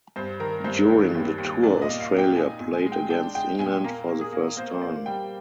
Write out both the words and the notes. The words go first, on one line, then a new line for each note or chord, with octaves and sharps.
During the tour Australia played against England for the first time.
G2 C5
D#3 A#4
G2 C5
D#2
D#2
D#2
A#2 D5
D#5
A#3
F5
A#2
G5
D#4 G#5
A#2
G#5
G#3
G5
D4 G5
G#3 G5
A#2 G#5
A#3 A#4
A#3
G#4
A#3
A#3 C5
A#3 D5
G3 G5